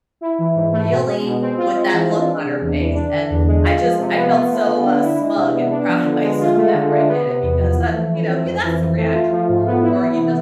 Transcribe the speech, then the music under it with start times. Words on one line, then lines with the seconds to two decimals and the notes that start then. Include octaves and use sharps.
"Really?" With that look on her face. And I just I felt so, uh, smug and proud of myself after I did it because, uh, you know, you that's the reaction you want or you just
0.21 E4
0.39 E3
0.55 G#2
0.72 A3
0.90 B2
1.07 G#3
1.25 B2
1.41 C4
1.58 F4
1.75 G#3
1.93 E3
2.10 D4
2.28 G#3
2.45 C3
2.61 E2
2.79 E3
2.95 D4
3.12 D3
3.30 E2
3.47 G#3
3.65 F4
3.82 F3
3.99 C3
4.16 B3
4.34 F4
4.50 A3
4.67 D3
4.84 D4
5.02 E4
5.20 G#3
5.36 C3
5.53 B3
5.71 D4
5.88 F3
6.04 D3
6.23 G#3
6.40 F4
6.56 A3
6.74 D3
6.91 D4
7.07 B3
7.25 C3
7.42 E2
7.59 F3
7.76 E3
7.93 A3
8.11 E3
8.28 C4
8.45 F2
8.63 E3
8.79 F2
8.97 A3
9.13 F4
9.31 F3
9.49 G#2
9.66 B3
9.82 E4
10.00 E3
10.17 C3